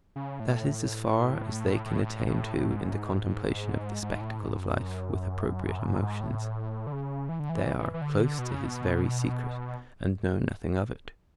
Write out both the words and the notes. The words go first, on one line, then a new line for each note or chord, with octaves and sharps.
That is as far as they can attain to in 'the contemplation of the spectacle of life with appropriate emotions.' They are close to his very secret and know nothing of it.
C#3
A2
A2
A2
G#2
F#2
G#2
G#2
A2
G#2
F#2
F#2
F#2
F#2
A2
G#2
G#2
A2
D3
C#3
E3
D3
E3
E3
E3
E3
D3
B2
C#3
B2